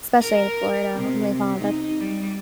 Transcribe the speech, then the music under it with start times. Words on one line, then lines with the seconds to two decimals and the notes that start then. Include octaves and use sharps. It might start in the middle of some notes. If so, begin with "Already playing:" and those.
Especially in Florida, oh my God, that
0.21 A#4
0.94 C3
1.57 D#4
1.99 G3